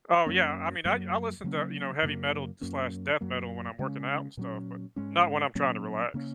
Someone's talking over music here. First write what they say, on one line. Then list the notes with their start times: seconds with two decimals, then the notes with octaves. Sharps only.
Oh, yeah. I mean, I d I listen to, you know, heavy metal, d slash death metal when I'm working out and stuff, but not when I'm trying to relax.
0.26 F#2 F#3 A#3 C#4
0.85 F#2 F#3 A#3
1.44 C#3 F#3 A#3 C#4
2.03 F#2 C#3 F#3 A#3
2.61 F#2 F#3 A#3 C#4
3.21 F#2 F#3 A#3
3.79 C#3 G#3 C#4
4.37 A#2 F#3 C#4
4.96 G#2 G#3 C#4
5.55 A#2 F#3 A#3 C#4
6.14 C#3 A#3 C#4